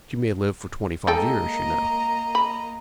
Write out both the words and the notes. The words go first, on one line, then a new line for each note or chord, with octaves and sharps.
"But you may live for twenty-five years, you know."
G#3 A#3 A4 D#5 G5 A#5
B5